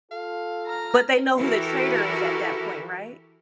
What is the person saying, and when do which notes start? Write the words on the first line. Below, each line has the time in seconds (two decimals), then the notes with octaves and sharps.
But they know who the traitor is at that point, right?
0.11 F4 A4 F5
0.66 A#5 F6
1.38 E3 E4 F#4 G4 A4 A#4